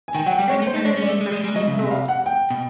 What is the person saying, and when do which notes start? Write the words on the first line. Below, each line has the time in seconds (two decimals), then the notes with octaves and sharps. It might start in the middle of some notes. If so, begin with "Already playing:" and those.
Transmitter names are shown in bold.
0.08 G#5
0.15 D#3 G5
0.26 F#3 F#5
0.33 G5
0.39 G3
0.49 G#3 C#5
0.62 A3
0.67 C5
0.74 D#4
0.85 D4 C#5
0.97 C#4
1.02 D5
1.09 A3
1.21 G#3
1.32 G#3
1.44 G3
1.56 F#3 D#5
1.67 C#3
1.73 E5
1.79 C3
1.84 E5
1.91 F5
2.08 F#5
2.26 G5
2.50 B2